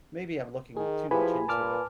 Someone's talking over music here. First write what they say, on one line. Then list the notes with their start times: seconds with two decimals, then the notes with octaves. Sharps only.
Maybe I'm looking too much into it.
0.77 D#3 G#4
1.11 F3 E4 G4 G#4 B4 G#5 B5
1.48 A#2 A5 D6 F6